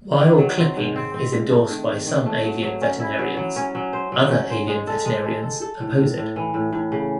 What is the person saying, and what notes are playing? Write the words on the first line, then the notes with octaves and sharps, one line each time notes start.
While clipping is endorsed by some avian veterinarians, other avian veterinarians oppose it.
D#3
F#3
C4
G#2
C4
C4
G#2
A3
D#3
D#3
D#3
A3
F#3
F#3
C#4
E4
F#3
F#3
C#4
F#3
C5
F#3
C#4
C5
G#3
A4
G#3
A4
A4
A4
A2
A2
A2
E3
A2
A2
C#3